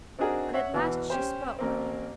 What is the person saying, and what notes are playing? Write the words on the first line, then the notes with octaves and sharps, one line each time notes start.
But at last she spoke.
C4 D4 D#4 F#4 G#4 A#4
C#5 E5 F#5
E2 B2 E3
C#4 G4 C5
A1 A#3 C4